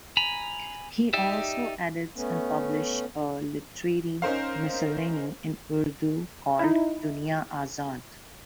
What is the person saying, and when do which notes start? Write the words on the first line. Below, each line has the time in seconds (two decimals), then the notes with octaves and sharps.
He also edits and publishes a litetary miscellany in Urdu called "Duniyazad".
0.17 G#5 A#5 B5
1.13 D#4 G4 D5 E5
2.16 A3 B3 C#4
4.22 C#4 D#4 A#4 C5 F5
6.59 D#4 E4